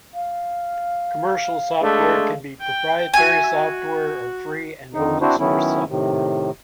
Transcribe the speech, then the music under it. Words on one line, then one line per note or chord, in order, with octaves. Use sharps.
Commercial software can be proprietary software or free and open source software.
F5
G#3 A3 D4
G5
F#4 E5 G#5
F#4
F2 D3 D#3 D#4
C4 D4 E4 F#4 C5
D#3 F#3 B3 C#4 E4
A2 C3 D#3